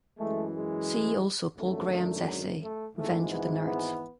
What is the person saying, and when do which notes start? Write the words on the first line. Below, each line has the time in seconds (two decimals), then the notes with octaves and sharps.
See also Paul Graham's essay "Revenge of the Nerds".
0.18 F#2 E3 G#3 A3
0.53 G#3
1.57 G#1 F#2 D3 F#3 A3
2.61 A3
2.95 G#1 G#2 E3 G#3 A3
3.30 B3
3.64 B3